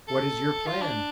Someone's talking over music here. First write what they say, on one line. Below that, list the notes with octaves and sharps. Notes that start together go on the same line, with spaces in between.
"What is your plan?"
A4
F4
D4